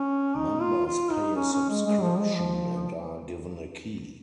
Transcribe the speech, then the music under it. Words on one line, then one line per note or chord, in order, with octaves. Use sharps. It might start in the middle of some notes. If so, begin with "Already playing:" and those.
Members pay a subscription, and are given a key.
Already playing: C#4
D#4
F4
F4
D#4
C#4
C#4
G#3
G#3
F3
G#3
F3